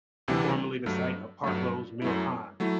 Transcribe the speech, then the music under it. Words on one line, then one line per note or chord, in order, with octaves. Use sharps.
Formerly the site of Partlo's mill pond.
D2 C3 E3 G3 D4
G2 F#3 A3
G2 F#3 A3
F#2 F#3 A3 E4
F#3 A3 E4